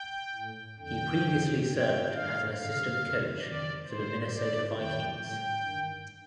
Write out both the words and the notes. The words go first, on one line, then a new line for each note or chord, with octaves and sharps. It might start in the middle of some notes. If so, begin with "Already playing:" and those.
He previously served as an assistant coach for the Minnesota Vikings.
Already playing: G5
A2
F2 D3 G5
F2 C3 D#3
G2 D#3 G5
G2 D#3 F5
G2 D3 F5
F2 D3
F2 C3 D#3 D5
A2 C5
A2 D5
F2 D#3 G5
A2 G5
G2 D#3